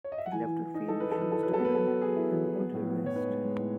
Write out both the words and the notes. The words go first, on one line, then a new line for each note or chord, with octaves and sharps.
It left her feeling she was tired, and wanted rest.
C#5
D#5
E5
F#5
E3 G#5
E3
E3
D#4
D#4 A4
D#4 B4
A4
E3 B4
E3 A4
F#3 B4
A4
B3
B4
F#3 A4
B3
F#3 G#4
E4
F#3
E4
B3
A2
B3
A2 C#5
D#4 B4
G#3
G#3
A2